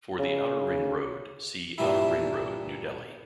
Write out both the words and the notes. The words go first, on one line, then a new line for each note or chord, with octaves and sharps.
For the Outer Ring Road, see Outer Ring Road, New Delhi.
C#3
G2 A#2 E3 G3 E4